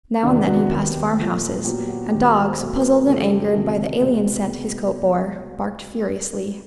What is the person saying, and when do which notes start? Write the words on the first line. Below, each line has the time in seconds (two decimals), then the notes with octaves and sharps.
Now and then, he passed farmhouses, and dogs, puzzled and angered by the alien scent his coat bore, barked furiously.
0.23 E2 C3 D#3 F#3 B3 D4
0.47 F#4
0.70 D#2 D#3 F#3 B3 G4
1.17 A#2 F3 A3
1.65 A#2 F#3 B3 G4
1.88 F#4
2.11 D#2 D#3 G#3 B3 G4
2.23 F#4
2.36 A#4
2.48 C5
2.59 B2 F#3 A3
2.75 B4
2.91 A#4
3.07 F2 C#3 F#3 A3 A4
3.18 G#4
3.30 G4
3.42 G#4
3.54 D2 C3 D#3 F#3 A3
4.01 C2 B2 G#3 B3